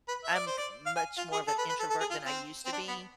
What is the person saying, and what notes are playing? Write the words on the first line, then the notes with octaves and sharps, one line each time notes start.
I'm k much more of an introvert than I used to be,
B4
E5
D5
C5
D5
F5
G#5
F4
G#4
A4
B4
B4
A4
A4
G#4
F4
C4
C4
D4
B3